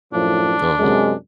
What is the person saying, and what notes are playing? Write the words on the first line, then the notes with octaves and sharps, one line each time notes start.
Uh huh.
F#2 A2 F3 D4
F#2 C3 G#3